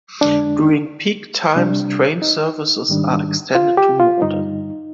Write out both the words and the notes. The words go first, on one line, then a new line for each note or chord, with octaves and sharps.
During peak times train services are extended to Morden.
F2 D3 G#3 D4
C3 G3 D4
D#4
G#2 D#3 G3 D4
F4
G4
F4
G2 D3 G3 D#4